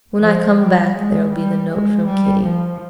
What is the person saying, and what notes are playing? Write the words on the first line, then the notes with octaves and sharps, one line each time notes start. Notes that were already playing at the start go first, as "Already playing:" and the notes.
When I come back there'll be the note from Kitty.
F3
G3
G#3
G3
G#3
G3
F3